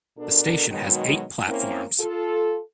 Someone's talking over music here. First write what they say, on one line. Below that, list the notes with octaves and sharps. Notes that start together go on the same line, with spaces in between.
The station has eight platforms.
B2 D4 A4 A#4
B2 D#3 F#3 G#3
A#3 C4 C#4 E4 A#4
F4 A4